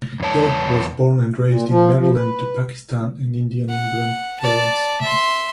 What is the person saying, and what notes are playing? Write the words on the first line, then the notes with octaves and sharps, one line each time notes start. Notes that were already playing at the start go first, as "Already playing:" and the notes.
Yodh was born and raised in Maryland to Pakistan and Indian immigrant parents.
E2 B2 C#5 A5
A#2
F3
F3
B4
F#5
D5 A5
E5 C6